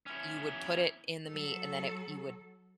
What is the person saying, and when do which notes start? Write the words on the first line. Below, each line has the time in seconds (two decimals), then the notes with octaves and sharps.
you would put it in the meat, and then it you would
0.06 C#4 E4
1.29 F#3 A4